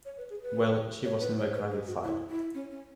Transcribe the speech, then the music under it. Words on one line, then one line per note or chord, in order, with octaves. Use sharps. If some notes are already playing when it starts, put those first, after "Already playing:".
Well, she was never gratified.
C#5
B4
G#4
B4
C#5
B4
C#5
B4
G#4
F#4
E4
E4
C#4
C#4